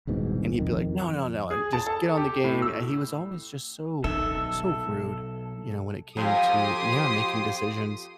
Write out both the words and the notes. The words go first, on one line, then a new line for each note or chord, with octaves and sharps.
And he'd be like, "No, no, no, uh, just get on the game," and he was always just so so rude, you know, when it came to Yeah, making decisions,
D#1 C2 G#2 B2
F2 D#3
G#4
A5
A4
G4
A2
E6
B1 D#4 A4 E5
F2 G4 C6 D#6